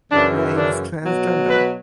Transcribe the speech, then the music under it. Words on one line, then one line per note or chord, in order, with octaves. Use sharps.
Raine is transgender.
F#2 C#3 E3 D4
D4
B2 F#3
B4